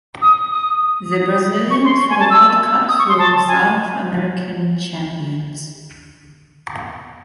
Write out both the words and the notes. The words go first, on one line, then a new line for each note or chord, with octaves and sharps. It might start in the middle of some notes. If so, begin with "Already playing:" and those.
The Brazilians for the world cup through South American champions.
D#6
D#6
D#6
C#6
C6
C#6
G#5
A5
E6
D#6
C#6
C6
A5
G#5